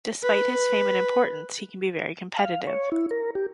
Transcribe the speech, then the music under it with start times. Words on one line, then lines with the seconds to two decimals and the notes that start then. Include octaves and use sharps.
Despite his fame and importance, he can be very competitive.
0.22 B4
2.38 F5
2.67 C#5
2.92 E4
3.11 A#4
3.35 G4